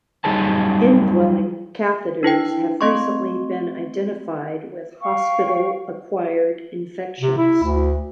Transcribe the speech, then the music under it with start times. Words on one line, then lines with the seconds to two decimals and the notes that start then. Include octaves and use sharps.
Indwelling catheters have recently been identified with hospital acquired infections.
0.24 F#3 G3 D#4 G#4 B4 A5
2.23 D4 E4 B4 G5
2.81 A3 C4 D#5 C6 C#6
5.02 F5 G5 C#6
7.20 C3
7.38 E4
7.63 D2